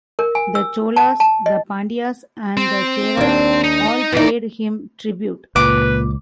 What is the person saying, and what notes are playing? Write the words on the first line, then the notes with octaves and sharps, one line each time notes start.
The Cholas, the Pandyas and the Cheras all paid him tribute.
A#4
G#5
E6
A5
A5
D#5
C4
D#2 D4
D#4
E2 E3 D#4 D5
C#2 A#2 B4 D6